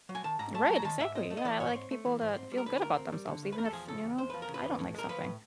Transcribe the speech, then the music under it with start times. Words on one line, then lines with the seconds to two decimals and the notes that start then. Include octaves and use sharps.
Right, exactly, yeah. I like people to feel good about themselves even if, you know, I don't like something.
0.09 F#3
0.15 G#5
0.24 D#3 A5
0.39 G#2 A#5
0.54 A3 A5
0.70 F#3
0.76 A#5
0.84 D#3 A5
1.00 G#2 E5
1.15 C4 D#5
1.30 A3
1.37 D#5
1.45 E3 D5
1.60 G#2 C#5
1.76 C4
1.91 A3
2.06 E3
2.21 G#2
2.36 C4
2.52 G3
2.57 A#4
2.66 D3 B4
2.77 B4
2.81 D2 A#4
2.97 C4
3.12 G3
3.27 D3
3.43 D2
3.52 B4
3.58 E2 A#4
3.65 A4
3.72 F3 G#4
3.88 C#3 A4
4.03 E2
4.18 E2 C5
4.30 F3 B4
4.42 A#4
4.49 C#3
4.54 B4
4.64 E2
4.79 A2
4.94 G#3 A#4
5.09 F3 B4
5.24 A2